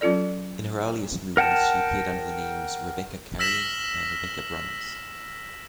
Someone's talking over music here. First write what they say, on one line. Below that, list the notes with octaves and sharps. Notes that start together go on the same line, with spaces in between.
In her earliest movies, she appeared under the names "Rebecca Carre" and "Rebecca Bruns".
F#3 C#4 F4 A4 D5
A#4 F#5 G5 A5
E6 F6 A#6 B6 E7 F#7